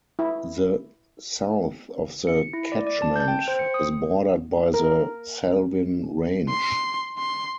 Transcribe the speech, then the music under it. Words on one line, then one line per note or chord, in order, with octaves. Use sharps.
The south of the catchment is bordered by the Selwyn Range.
E4
C#7
E4
D5
D5
A5
G6
G5
C5
C#7
D#6
A#4
C6
C6